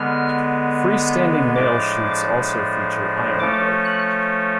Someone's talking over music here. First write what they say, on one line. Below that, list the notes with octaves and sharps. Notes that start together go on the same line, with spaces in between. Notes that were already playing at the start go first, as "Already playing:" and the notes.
Freestanding mail-chutes also feature ironwork.
Already playing: D3 G#3 B3 F6
A2 F3 G#3 D4 D6
F3 A3 C#4 D6
F#6